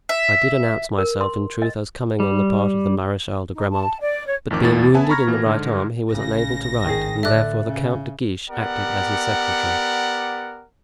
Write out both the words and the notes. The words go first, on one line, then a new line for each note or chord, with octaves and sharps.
"I did announce myself, in truth, as coming on the part of the Marechal de Grammont; but being wounded in the right arm he was unable to write and therefore the Count de Guiche acted as his secretary."
E5
A#4
C6
D#5
G3
D#4
A5
D5
C#5
A1 F2 D#3 D6
E2 A2 A6
B3 B4 E5 G#5 A5
A#5 B5 C#6 F6 G#6 A#6
B2 E3 A#3
G#2 D3
A1 C#3 A#6
G#1 D#3 G#4
A2 D3 A4 D5 E5 F#6
C#3
B3 G4 A#4 D5 F#5